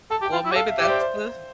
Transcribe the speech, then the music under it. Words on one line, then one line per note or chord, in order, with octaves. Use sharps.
Well, maybe that's the
A4 A5
G4
G5
F4
E4
G4
A4 F5
E5
G4 D5 E5
C5
C5